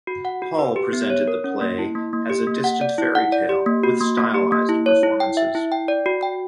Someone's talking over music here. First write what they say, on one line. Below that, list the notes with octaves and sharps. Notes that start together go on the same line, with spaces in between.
Hall presented the play as a distant fairy tale, with stylised performances.
F#4
F#5
F#4
B4
G4
B3
C#5
A#4
C#4
A#3
E4
A#3
A#3
G4
A#3
F#5
D5
E4
F#5
D5
G4
A#3
F#4
A#3
A#3
G4
A#3
E4
C#5
E4
G5
E5
E4
G5
D5
F#4
G5